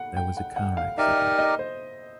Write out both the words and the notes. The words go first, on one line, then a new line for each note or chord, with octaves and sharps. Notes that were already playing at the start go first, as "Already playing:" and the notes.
There was a car accident.
Already playing: F#5
G5
F#5
F#5
F5
D#4 G4 A#4 D5 E5
D#5
D#5
C5